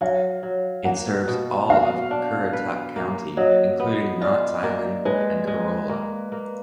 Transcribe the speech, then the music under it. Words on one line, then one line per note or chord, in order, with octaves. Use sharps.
It serves all of Currituck County including Knotts Island and Corolla.
F#3 F5
F#3
A#3 F#5
B2
F#4 F5
D4
B4
A#3
F#3 D#5
B3
F4 D5
A#3
G#3 B4
G#3
A#3
A#3